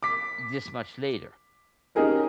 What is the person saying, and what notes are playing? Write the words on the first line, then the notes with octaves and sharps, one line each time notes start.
this much later.
D6 B6
C#4 D#4 G4 G#4 A#4 D#5